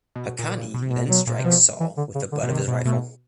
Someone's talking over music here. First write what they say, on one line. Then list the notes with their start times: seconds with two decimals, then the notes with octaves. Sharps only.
Haqqani then strikes Saul with the butt of his rifle.
0.16 B2
0.39 A#2
0.74 B2
0.82 C3
0.90 B2
1.09 B2 F#3
1.27 A#2
1.39 C3
1.44 B2 F3
1.80 E3
1.97 D3
2.15 C#3
2.32 D3
2.43 B2
2.50 C3 D#3
2.68 B2
2.85 B2 A3